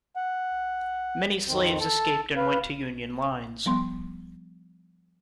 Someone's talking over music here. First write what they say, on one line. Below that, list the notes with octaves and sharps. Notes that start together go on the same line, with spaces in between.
Many slaves escaped and went to Union lines.
F#5
F2 D#3 C4
A4 A5
B4 F5
F3 G3 B3 C6